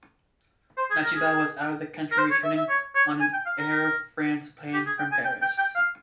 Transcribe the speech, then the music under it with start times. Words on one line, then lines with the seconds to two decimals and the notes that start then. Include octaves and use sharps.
Natchaba was out of the country, returning on an Air France plane from Paris.
0.78 C5
0.90 G#4
1.03 A#4
1.15 G#4
2.11 A#4
2.18 C5
2.31 C#5
2.44 E5
2.56 E5
2.69 C#5
2.95 C#5
3.20 G#5
3.33 G5
3.46 F5
3.58 A#4
4.74 G4
4.86 G#4
4.99 G5
5.12 G#5
5.24 G5
5.42 G5
5.58 G5
5.75 F5